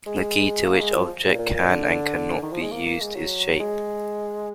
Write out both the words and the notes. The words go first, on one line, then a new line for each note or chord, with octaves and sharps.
The key to which objects can and can not be used is shape.
G#3
A#3
G#3
F3
A#2
A#2
A#2
D3
D#3
F3
G#3
A#3
A#3
G#3
F#3
G#3